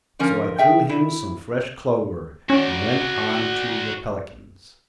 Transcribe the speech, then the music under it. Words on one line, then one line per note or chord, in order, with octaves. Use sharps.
So I threw him some fresh clover, and went on to the pelicans.
D3 F3 C#4 A#4
G#4 E5 G5
E4
C#4 F#4 D5